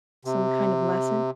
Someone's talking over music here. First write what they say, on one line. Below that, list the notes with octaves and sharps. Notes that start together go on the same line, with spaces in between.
some kind of lesson?
C3